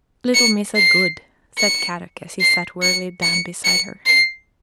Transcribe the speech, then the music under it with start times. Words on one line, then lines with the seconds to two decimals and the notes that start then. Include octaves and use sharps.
"Little Missa good," said Kadok as he sat wearily down beside her.
0.34 C#7
0.75 C7
1.58 C#7
2.40 C7
2.82 C#7
3.22 C#7
3.64 C#7
4.06 C7